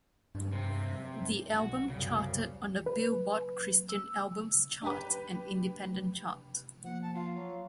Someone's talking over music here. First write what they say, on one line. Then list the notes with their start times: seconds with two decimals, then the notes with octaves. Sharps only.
The album charted on the "Billboard" Christian Albums chart and Independent chart.
0.53 C3 C4
1.59 B1 F#4
1.90 C2 F#2 C#3
2.86 B4
3.89 E6
4.82 D4 G4 B4
6.84 F3 A#3 F#5
7.02 A5
7.15 F4 F5
7.35 F#3